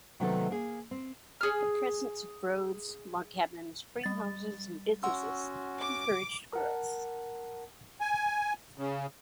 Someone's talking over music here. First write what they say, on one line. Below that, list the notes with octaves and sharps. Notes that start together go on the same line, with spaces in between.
The presence of roads, log cabins, frame houses, and businesses encouraged growth.
C3 D#3 F#3 A3 B3 A4
A#3 G#4
C4
G#4 F6
G3 A6
C#4 F#4 F#5 C6 E6
D6
A#4 F#5 A5
G#5
C#3